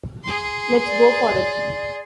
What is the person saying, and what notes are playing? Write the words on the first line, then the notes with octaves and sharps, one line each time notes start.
Let's go for it.
G#4 C6
D5